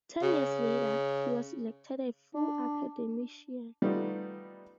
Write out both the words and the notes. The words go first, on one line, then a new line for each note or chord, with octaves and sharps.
Ten years later, he was elected a full academician.
C#3
D4
G3 A3 B3 D#4 F4